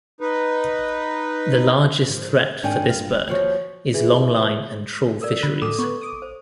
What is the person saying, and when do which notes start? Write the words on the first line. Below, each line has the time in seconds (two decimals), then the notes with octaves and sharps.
The largest threat for this bird is longline and trawl fisheries.
0.21 D#4 B4
2.06 G#2 D#3 F3
2.63 G#2 D#3 D4 G5 G#5
2.88 G2 F4 F5
3.27 D#2 F3 F#4 C#5
3.94 E3 G#4
5.22 A4 A#4 D5
5.42 D3 B5 F#6
5.62 A2 A4 D6 D#6 E7
5.79 B3 B4 C#6
6.01 D6 D#6
6.22 C5